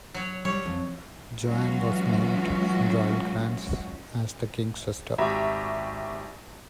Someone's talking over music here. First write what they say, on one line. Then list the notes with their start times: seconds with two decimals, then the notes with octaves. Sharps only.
Joan was named in royal grants as the King's sister.
0.14 F#3 C#5
0.45 G3 C#5
0.66 F2
1.44 E3 F#3 G#3 C#4 F4 F#4
5.18 G#1 F#4 G4 E5 A#5 B5